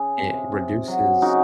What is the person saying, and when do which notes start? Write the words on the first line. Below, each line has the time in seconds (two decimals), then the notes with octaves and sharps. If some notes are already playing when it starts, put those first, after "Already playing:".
it reduces
Already playing: C#3 G#4
0.18 C3
0.52 C3
0.88 F#3
1.22 C#3 D#4 F#4